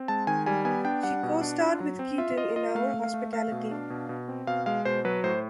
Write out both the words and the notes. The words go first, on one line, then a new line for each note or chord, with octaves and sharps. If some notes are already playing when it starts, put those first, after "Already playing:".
She co-starred with Keaton in "Our Hospitality".
Already playing: C4
G#3 A5
D#3 G#5
G3 G#5
B3 G#5
D4 G5
G3 F#5
B2
D4
F4
F#3
C4
F4 E5
F4 D#5
F4 D#5
A3 F5
A3
F5
A3
A3 F5
B2
D4
B2
B2
C4
B2 F5
G#3 F5
B2 C5
F#3 B4
A2 C5